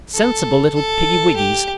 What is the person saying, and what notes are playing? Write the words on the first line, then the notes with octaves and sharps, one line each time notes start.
Sensible little piggywiggys.
A4
A4
G4